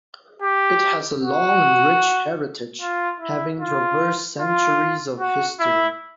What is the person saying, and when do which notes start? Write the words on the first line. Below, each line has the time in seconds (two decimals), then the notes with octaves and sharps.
It has a long and rich heritage, having traversed centuries of history.
0.42 G4
1.22 F#4
2.81 F4
3.20 E4
3.60 F4
4.40 F4
5.19 F#4
5.60 E4